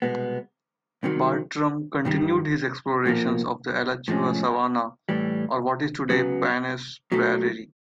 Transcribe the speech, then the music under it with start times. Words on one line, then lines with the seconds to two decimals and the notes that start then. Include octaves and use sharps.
Bartram continued his explorations of the Alachua Savannah, or what is today Paynes Prairie.
0.02 C2 B2 G#3 B3
1.03 C2 C3 D#3 F#3
2.05 G2 D#3 G3
3.06 B1 A#2 F3 A#3
4.08 A2 F3 G#3 C#4
5.09 A2 E3 G3
6.10 C#2 C#3 F#3 B3
7.12 B2 F#3 A3